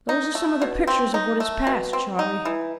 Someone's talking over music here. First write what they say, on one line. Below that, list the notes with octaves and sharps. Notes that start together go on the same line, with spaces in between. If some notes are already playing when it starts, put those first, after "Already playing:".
'Those are some of the pictures of what is past, Charley.'
D#4
A3
B2
C4
D#4
A3
B2
C4
D#4
E3